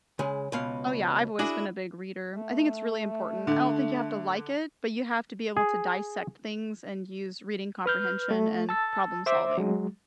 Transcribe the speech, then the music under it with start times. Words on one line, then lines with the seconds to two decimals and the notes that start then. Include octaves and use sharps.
Oh yeah, I've always been a big reader. I think it's really important. I don't think you have to like it, but you have to be able to dissect things and use reading comprehension and problem solving.
0.19 C#3 G#3
0.52 C#2 B2 F5
1.39 D4 E4 F#4 G#4
2.34 A3
3.47 D3
5.57 G#4
7.86 B4 F6 G6
8.31 A3
8.69 A5 E6 A6
9.26 C5 E5 D6
9.58 F#3 G#3